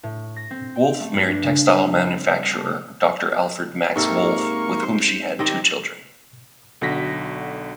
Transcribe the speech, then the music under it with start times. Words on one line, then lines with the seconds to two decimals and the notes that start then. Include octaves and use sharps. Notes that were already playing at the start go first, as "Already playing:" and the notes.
Wolff married textile manufacturer Doctor Alfred Max Wolf with whom she had two children.
0.03 A2
0.36 A#6
0.50 C4
0.76 G5
1.00 A3
1.14 G2
1.28 D4
1.43 C#3
1.70 G3
2.02 C4
2.27 G#4
2.53 A5
3.96 G#2 C3 A#3 A4 C#6
4.82 C5
5.39 D#3 C4 G4 D#5
6.81 B1 D3 F#4 A#6 B6